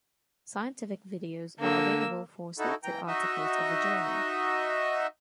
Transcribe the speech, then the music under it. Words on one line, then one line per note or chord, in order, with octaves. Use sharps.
Scientific videos are available for selected articles of the journal.
D3 A#3 E6
D#4 E4 F#4 A4
E3 G5 A#5
D#4 F#4 D#5 E5